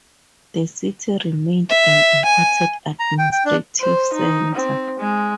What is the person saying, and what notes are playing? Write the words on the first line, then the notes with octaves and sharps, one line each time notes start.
The city remained an important administrative centre.
E5
G#5
A#5
G5
G5
D4
C5
D#4
C4
G#3